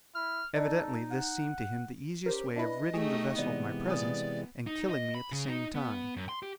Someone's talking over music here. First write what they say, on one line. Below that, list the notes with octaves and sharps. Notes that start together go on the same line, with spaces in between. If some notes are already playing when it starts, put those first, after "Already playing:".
Evidently this seemed to him the easiest way of ridding the vessel of my presence and killing me at the same time.
E4 F6
D#4 A4 D5 D#5
F#5
C#4 G4 A#4 C5
D4 E4 B4 D#5
A3 D#4 G4 G#4 C#6
C3 E3 G#3 B3 D5
D5 G#5 D#6
D#4
D#5
B5
C#3
D#4
B3
F#2
C6
G4